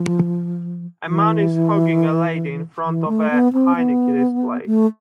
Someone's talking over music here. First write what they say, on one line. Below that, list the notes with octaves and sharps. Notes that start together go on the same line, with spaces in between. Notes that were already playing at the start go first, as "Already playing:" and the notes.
A man is hugging a lady in front of a Heineke display.
Already playing: F3
E3
E3
A3
B3
C4
B3
A3